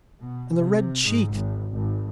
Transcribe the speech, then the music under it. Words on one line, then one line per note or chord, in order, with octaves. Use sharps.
And the red cheeks!
B2
C3
G#2
G#1
G#1